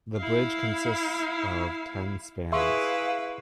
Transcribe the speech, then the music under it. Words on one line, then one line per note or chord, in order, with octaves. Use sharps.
The bridge consists of ten spans.
E4 F5
E4 G#4 B4 E5 F5 C6 C#6